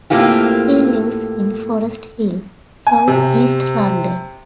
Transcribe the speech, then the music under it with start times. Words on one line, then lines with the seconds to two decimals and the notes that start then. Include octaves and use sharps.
He lives in Forest Hill, south east London.
0.10 A2 A#3 C4 F4 G4
2.87 G#5
3.08 C3